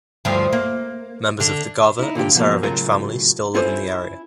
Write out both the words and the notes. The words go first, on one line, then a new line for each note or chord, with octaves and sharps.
Members of the Gava and Serovich families still live in the area.
D2 G2 F3
A#3
D3
D#4 E4
A#2 D3 F4 G4
B2 F3 A#3
A2 C#3 F#3 F4 A#4 G#5
C#4 E4 F4 A4 C5 G#5